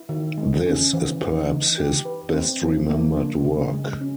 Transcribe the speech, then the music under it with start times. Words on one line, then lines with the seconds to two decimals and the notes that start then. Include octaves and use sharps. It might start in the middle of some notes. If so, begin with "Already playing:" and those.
This is perhaps his best-remembered work.
Already playing: E4
0.09 D#3
0.38 G#3
0.66 C#4
0.93 E3
1.22 E3
1.49 D#4
1.78 G4
2.05 B4
2.34 C4
2.62 F3
2.90 A#3
3.17 D4
3.45 C#3
3.73 G#3
4.01 C#4